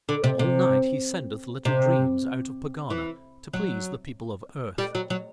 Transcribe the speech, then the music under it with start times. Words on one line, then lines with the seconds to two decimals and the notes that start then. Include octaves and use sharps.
All night he sendeth little dreams out of Pegana to please the people of Earth.
0.09 D3
0.24 C3
0.39 C3
1.65 C3
2.90 E3
3.53 F#3
4.78 G3
4.95 F#3
5.10 F#3